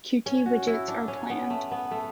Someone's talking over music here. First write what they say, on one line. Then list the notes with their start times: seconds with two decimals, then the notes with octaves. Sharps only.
Qt widgets are planned.
0.26 C#4
0.46 F#4
0.67 E4
0.88 D4
1.08 C#4
1.30 B3
1.50 A3
1.71 B3
1.91 A3